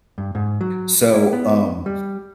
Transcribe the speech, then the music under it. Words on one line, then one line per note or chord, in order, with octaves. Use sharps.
So, um,
G2
G#2
F#3
E4
B3
G3